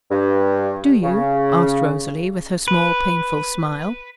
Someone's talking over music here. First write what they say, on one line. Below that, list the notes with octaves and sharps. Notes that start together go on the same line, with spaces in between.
"Do you?" asked Rosalie, with her small, painful smile.
G2
C#3
B4